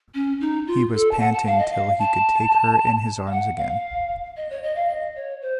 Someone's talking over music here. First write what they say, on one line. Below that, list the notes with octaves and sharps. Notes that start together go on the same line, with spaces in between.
He was panting till he could take her in his arms again.
C#4
D#4
F4
A4
A5
F#5
A5
F5
D#5
F5
A5
F5
F#5
F5
D#5
C#5
D#5
F5
D#5
C#5
C5